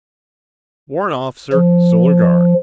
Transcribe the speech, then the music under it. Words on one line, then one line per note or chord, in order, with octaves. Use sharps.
Warrant Officer--Solar Guard.
F3